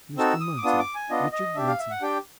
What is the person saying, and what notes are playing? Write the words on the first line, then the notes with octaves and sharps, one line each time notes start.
"Mr. Munson, Richard Munson."
C4 D#4 F#4 A4 E6
D#6
D6
B3 D4 F4 D#6
D6
G#5
B3 D4 F4 D#5
D#5
D4 G4 E5
F5
E5
F#5
D4 G4 G5